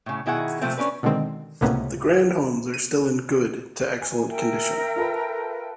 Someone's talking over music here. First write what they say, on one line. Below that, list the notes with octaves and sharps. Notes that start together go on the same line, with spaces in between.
The grand homes are still in good to excellent condition.
A2 C#3
B2 D#3 E4 G#4 C5 F#5
C3 F3 A3 C4
C#4 D4 B4
B2 D3 D#3 G#3 C4
C#2 A2 C3 A#3 B3 C#4
D#7
G#5
A#4 E5 G5
F4 A4 B4